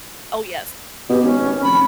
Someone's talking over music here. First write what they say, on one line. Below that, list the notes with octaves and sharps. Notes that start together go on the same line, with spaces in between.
Oh, yes.
B2 G4
G#1 C#4
F1 B5